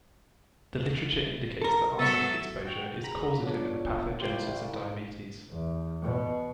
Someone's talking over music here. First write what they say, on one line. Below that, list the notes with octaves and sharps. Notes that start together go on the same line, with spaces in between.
The literature indicates that arsenic exposure is causative in the pathogenesis of diabetes.
A4 A#4
F#3 B3 A4 C#5 E5
F#4 G5
G#4 A#5 B5
B2 D4 F4 C#5
C2 F4 G4 C5
E2
B2